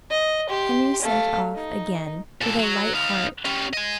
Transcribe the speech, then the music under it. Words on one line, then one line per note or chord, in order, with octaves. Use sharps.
Henry set off again with a light heart.
D#5
G4 C6
A3 F5
D#4
A#2 A4
F#3
D#4 F5
C#4 G4
D#5 G#5